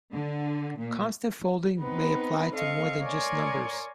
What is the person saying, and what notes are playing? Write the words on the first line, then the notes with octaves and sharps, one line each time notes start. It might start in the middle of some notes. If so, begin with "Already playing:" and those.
Constant folding may apply to more than just numbers.
D3
A#2
B3 C4 D#4 B4
C4 A4 D#5 F5 C#6
A#4 C#5 D5 G#5 C6